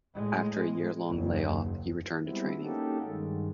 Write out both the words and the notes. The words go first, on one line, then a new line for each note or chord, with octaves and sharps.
After a year-long layoff, he returned to training.
A2 G#3
F#1 D#2
G3 G#3 B3 C4 E4
A#3 C#4 D#4 F#4 G4 A4
G2 D#3 G#3